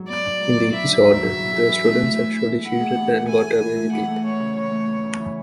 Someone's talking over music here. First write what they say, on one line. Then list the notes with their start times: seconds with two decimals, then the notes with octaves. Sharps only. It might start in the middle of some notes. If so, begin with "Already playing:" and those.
In the episode, the students actually cheated and got away with it.
Already playing: G#2 F#3
0.09 B3 D5
0.25 D4
0.41 G#2
0.57 F#3
0.72 B3 E5
0.89 D4
1.05 G#2
1.21 F#3
1.36 E4
1.53 G#4
1.69 E3
1.84 A3
2.00 E4
2.16 G#4
2.33 E3
2.48 A3
2.65 E4 F#5
2.80 G#4
2.96 E3
3.12 A3
3.28 E4 G#5
3.44 G#4
3.60 E3
3.76 A3
3.92 E3 F#5
4.08 A3
4.24 E2 C#5
4.40 C#3
4.56 E3 C#5
4.71 A3
4.88 E2
5.03 C#3
5.19 E3